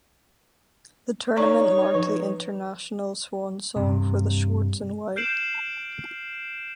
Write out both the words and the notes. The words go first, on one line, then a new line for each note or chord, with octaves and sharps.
The tournament marked the international swansong for Schwarz and White.
D#4 C#5 D5 A#5 C#6
F3 B4
G2 C3
F6 G6 C7 D7 E7 F#7